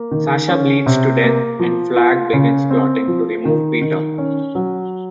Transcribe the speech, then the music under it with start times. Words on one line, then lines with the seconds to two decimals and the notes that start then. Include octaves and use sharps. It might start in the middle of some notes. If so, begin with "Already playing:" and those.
Sasha bleeds to death and Flagg begins plotting to remove Peter.
Already playing: A#3
0.11 D#3
0.48 C#4
0.86 C3
1.23 A#3
1.59 F3
1.96 F4
2.33 C#3
2.70 C4
3.08 F3
3.45 D#3
3.81 D#3
4.18 C#4
4.55 F#3